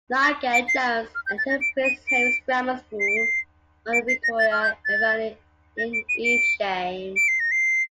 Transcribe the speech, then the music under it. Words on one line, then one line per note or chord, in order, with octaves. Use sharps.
Nigel Jones attended Prince Henry's Grammar School on Victoria Avenue in Evesham.
A#6
D7
C7
F6
G6
A6
A#6
D7
D#7
D7
C7
D7
C7
D7
C7
A#6
A6
F6
G6
A6
A#6
D7
D#7
D7
D7
C7
A#6
C7